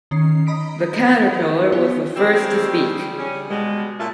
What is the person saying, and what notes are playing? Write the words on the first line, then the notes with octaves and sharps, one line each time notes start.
The Caterpillar was the first to speak.
D#3 C#4 C7
D#5 A#5 B5 D#6 B6 D7
B3 F4 G4 C#5 B6 C#7
G3 A3 C4 G4 G#4
C#4
B2 G#3
A#2 C#4 F4 E5 A5